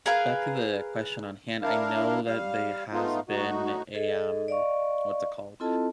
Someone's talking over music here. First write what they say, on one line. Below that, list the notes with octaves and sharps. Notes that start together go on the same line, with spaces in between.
back to the question on hand, I know that they has been a, um, what's it called,
G#4 A#4 B4 F5
D4 E4 A#4 F5
G3 F5
A3 B3 D#4 F4
A2 D#4 F#4
G#4 A4 D#5
D5 D#5 F5 C#6
C4 E4 F4 A4 D#5 A5